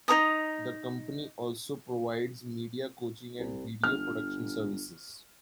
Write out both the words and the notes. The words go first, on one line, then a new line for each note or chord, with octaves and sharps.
The company also provides media coaching and video production services.
D#4 C#5 A#5 D#6
C2
G1 F6